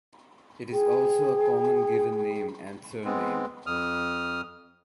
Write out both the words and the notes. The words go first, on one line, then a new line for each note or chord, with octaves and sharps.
It is also a common given name and surname.
G#4 G5
G#3 B3 C4
F2 D#6 F6